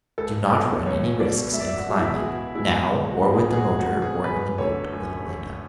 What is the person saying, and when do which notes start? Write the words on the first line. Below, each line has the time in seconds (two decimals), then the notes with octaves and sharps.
Do not run any risks in climbing, now, or with the motor, or in the boat ... little Leda ...'
0.18 C#2 A4
0.51 B2 F#3 A3
0.86 C#2 C#5
1.19 B2 F#3 A3 D5
1.53 C#2 E5
1.60 D5
1.68 E5
1.76 F#4
1.87 B2 G#3
1.99 E4
2.15 G#4
2.21 C#2 F#4
2.55 B2 G#3 E4
2.89 C#2
3.11 F#4
3.23 B2 G#3
3.34 G#4
3.51 G#4
3.56 C#2 F#4
3.79 F#4
3.91 B2 G#3
4.02 G#4
4.24 F#2 B4
4.58 D3 A3 C#5
4.92 F#2
5.26 D3 A3